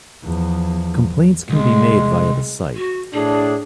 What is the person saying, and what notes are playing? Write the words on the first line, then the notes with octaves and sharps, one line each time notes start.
Complaints can be made via the site.
E2 F3
C2 G#3
F#4
A2 D4 G#4